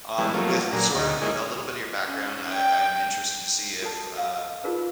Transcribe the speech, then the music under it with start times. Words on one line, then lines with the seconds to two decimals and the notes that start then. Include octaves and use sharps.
Um, with sort of a little bit of your background, I I'm interested to see if, uh,
0.18 E3 G3 G#3 B3 E4
0.34 F3 F#3 A3 A#3 C#4 F4
0.73 A#2 F#3 D4 G#4 A#5
0.95 D2 D#4
1.22 G#3 A#3 C#4 D#4 E4 G#4
2.05 C#4
2.48 G5
3.82 F#4 A4 A5
4.18 F5
4.64 D#4 F4 F#4 G#4 A#4 B4